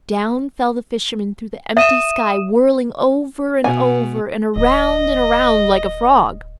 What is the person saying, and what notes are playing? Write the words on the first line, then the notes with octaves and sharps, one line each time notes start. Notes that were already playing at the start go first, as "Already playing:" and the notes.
Down fell the fisherman through the empty sky, whirling over and over and around and around like a frog.
E5 D#6 D#7 E7
B2 G#5
D1 D#5